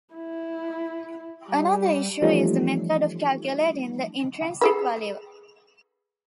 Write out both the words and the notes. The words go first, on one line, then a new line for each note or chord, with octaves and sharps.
Another issue is the method of calculating the "intrinsic value".
E4
G3
E3 F3 G3 A3 C#4 D#4
G#4 A4 B4